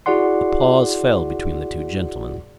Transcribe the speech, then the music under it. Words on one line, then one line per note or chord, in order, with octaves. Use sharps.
A pause fell between the two gentlemen.
E4 F#4 G#4 D5 F#5 C6